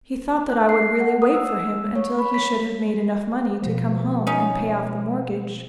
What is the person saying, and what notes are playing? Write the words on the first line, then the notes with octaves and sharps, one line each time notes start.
He thought that I would really wait for him until he should have made enough money to come home and pay off the mortgage.
F#6
C7
F#5
D#6
E6
E6
C#5
B5
B6
B2 F3
C#4 D#4